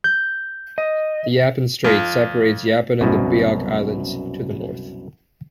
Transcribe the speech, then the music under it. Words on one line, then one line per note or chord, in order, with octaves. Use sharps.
The Yapen Strait separates Yapen and the Biak Islands to the north.
G6
D#5
F2
C2 F#2 B2